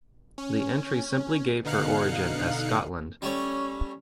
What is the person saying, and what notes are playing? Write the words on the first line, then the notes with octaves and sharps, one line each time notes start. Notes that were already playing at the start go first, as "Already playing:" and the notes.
The entry simply gave her origin as Scotland.
C#4
B2 D3 D#4 F5 F#6 C#7
G3 A3 C#4 C#5